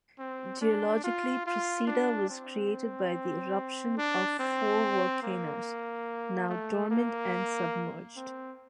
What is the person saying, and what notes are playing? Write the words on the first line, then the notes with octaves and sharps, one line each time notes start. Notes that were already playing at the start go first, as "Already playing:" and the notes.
Geologically, Procida was created by the eruption of four volcanoes, now dormant and submerged.
C4
D4
F4
F4
D4
C4
D4
C4
A#3
A3
A#3
C4